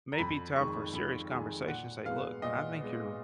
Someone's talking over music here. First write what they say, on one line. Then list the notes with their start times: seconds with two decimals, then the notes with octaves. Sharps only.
maybe time for a serious conversation to say, "Look, I think you're
0.12 A#5
0.18 F2 B5
0.56 D#3 G#3 C#6
0.93 F2 B5
1.31 D#3 G#3 G#5
1.68 A#2 F#5
2.06 G#3 B3 F5
2.42 A#2 D#5
2.80 G#3 B3